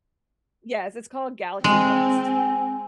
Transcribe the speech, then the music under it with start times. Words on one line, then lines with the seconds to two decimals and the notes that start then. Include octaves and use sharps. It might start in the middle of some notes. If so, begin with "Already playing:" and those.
Yes, it's called Galaxy Quest.
1.64 G#3 C4 G#5